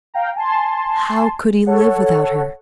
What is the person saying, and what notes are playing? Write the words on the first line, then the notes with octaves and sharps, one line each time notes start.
How could he live without her?
F5 G5 A#5
G#5 A5 C6
A4 C#5 F#5